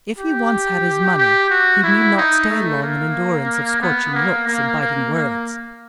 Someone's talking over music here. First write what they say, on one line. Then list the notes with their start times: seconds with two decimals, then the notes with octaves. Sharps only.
If he once had his money he need not stay long in endurance of scorching looks and biting words.
0.18 G4
1.18 G4
1.50 F#4
1.83 E4
2.17 D#4
2.50 A3
2.82 A#3
3.82 B3
4.14 A#3
4.47 A#3
4.80 A#3
5.14 A#3